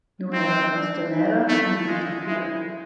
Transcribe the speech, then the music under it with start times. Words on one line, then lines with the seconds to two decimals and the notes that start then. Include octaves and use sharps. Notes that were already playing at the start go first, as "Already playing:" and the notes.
Nueva Costanera in Vitacura.
0.32 C4 D#4
0.71 D4
1.10 D#4
1.48 A3 E4
1.88 G#3 F4
2.26 G#3 E4